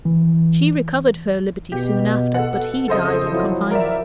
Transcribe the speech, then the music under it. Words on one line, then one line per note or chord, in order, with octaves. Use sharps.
She recovered her liberty soon after; but he died in confinement.
E3
B2 G4
A4 F#5
F2 C#3 A4 C5 D#5
F3 F#3 E4
A#4 D5 E5